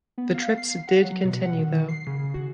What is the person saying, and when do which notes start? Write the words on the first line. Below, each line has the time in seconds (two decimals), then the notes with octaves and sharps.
The trips did continue though.
0.18 B3
0.34 F5
0.57 C7
0.88 F#5
1.04 F#3
1.24 B2
1.46 F#5
1.59 D#3
1.89 C7
2.07 C#3
2.34 F#4